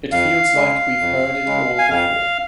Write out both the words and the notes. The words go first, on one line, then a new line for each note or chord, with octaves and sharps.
It feels like we’ve heard it all before.
F2 F5
C#3 G#3
F2
C#3 G#3
G#5
F2 F5